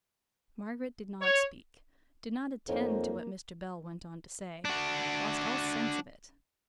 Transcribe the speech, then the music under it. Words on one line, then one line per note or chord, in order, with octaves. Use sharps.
Margaret did not speak; did not attend to what Mr. Bell went on to say; lost all sense of it.
C#5
F2 A#3 D#4 F4 C#5
D4 F#4